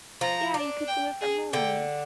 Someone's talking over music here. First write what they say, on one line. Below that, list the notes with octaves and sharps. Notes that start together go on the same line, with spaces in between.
Yeah, you could do it from home.
F3 A#5
D4
G5
G#4
D3 G5